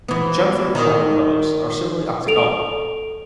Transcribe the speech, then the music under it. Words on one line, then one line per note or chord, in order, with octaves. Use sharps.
The chamfered corner pillars are similarly octagonal.
E3 B3
D#3
A4 D7 F7